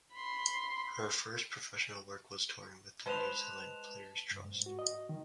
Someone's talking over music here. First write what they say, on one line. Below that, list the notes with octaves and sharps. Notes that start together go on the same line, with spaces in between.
Her first professional work was touring with the New Zealand Players Trust.
B5 C6
G#3 B4 C5 A5 E7 F7
G2
G#2
F#4
D#5
D#3